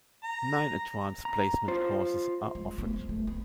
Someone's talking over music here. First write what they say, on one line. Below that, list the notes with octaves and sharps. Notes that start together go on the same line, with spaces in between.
Nine advanced placement courses are offered.
A#5
A#5
F4 C5
G#3
A3 B3
G#3
A3
B3